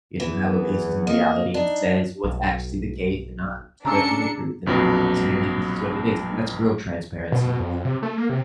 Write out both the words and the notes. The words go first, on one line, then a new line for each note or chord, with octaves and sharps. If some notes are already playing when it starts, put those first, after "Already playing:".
you know, have a basis in reality and says what's actually the case and not stretching the truth and saying like, "This is what it is," 'cause that's real transparency.
E2 E3 B3
A#3 D#5
D4 D#4
B1
C#3 C#4 D4 A#5 E6 C#7
A#1 F2 B2 F#3
B2
F2
C3
A3
A#3
C3